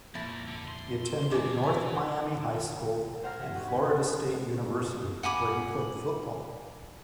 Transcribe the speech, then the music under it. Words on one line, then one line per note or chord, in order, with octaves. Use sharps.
He attended North Miami High School and Florida State University where he played football.
C2 F2 A#2 E4 A5
D3
C6
E3 D5 G#5 A5
F4 G#5
C5 F#5 A#5 F6 G#6 A#6
C3 E5 F#5
D#4 F#4
B5
F#5 G#5 B5 D6